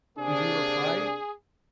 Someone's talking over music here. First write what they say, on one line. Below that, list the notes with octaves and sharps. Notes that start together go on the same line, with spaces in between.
"And you replied?"
C3 A#3 D4 G#4